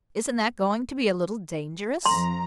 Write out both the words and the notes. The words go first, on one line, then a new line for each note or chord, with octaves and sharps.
"Isn't that going to be a little dangerous?"
F2 A#5 C6